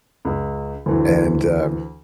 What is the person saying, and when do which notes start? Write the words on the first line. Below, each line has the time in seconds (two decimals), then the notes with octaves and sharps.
and, uh,
0.25 C#2
0.86 D2 E3